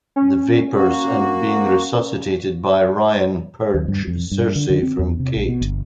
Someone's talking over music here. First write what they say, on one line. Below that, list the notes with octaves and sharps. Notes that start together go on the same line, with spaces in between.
The vapors and being resuscitated by Ryan purge "Circe" from Kate.
C#4
A#3 F#4
D#2
G2
F2
G2
D3
D3
C4
E2
C3
A#1
B2
G1